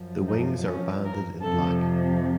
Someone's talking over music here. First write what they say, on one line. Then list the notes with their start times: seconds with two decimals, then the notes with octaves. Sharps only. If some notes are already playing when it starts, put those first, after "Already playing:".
The wings are banded in black.
Already playing: F#2 F3
0.27 D#4
0.65 C#4
1.04 A#4
1.41 F2 C3 F3 A4